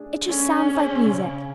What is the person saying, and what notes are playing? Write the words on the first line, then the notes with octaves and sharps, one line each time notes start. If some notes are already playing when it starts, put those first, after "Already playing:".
It just sounds like music.
Already playing: A3 D4 G#4
A3 C#4
D4 G#4
C#3